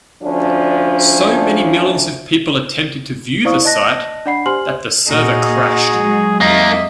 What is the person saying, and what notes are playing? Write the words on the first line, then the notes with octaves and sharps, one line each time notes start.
So many millions of people attempted to view the site that the server crashed.
D2 F3 C#4 D4
E4 C5 D5 F5 C#6 D#6
D5 D#5 A5 F#6 A#6
D4 D5 F#5 B5 C7
G4 C5 G#5 C6 F6 F#7
A#2 A#3 D#4 F#4 G#4
F#3 G#3
F2 A#3 D#4 D#5 E5